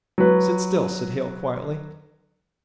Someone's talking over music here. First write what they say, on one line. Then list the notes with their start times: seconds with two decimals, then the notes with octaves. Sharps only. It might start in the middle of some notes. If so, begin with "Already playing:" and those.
"Sit still," said Hale, quietly.
0.18 F#3 B4